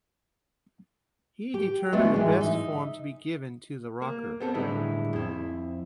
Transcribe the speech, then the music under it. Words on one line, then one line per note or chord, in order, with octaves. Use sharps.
He determined the best form to be given to the rocker.
G4
G#3 A3 B3 C4 D4 F#4
G#2 E3 G#3
D#4 E5
A#3
B3 C4 A4
A2 D3 G3 G#3 D#4 E4
F2 E4